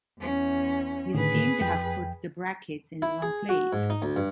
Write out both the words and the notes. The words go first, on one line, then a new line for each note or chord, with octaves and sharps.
You seem to have put the brackets in the wrong place.
E2 C#4
A2 D3 D#3 G#4 B4
F2 G5
E4
G#4
F#4
G#2
D#4
D2
G2